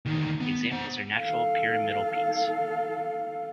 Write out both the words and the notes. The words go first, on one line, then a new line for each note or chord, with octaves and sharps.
Examples are natural pyramidal peaks.
D2 D#3
B3
C5 F#5
A4 F5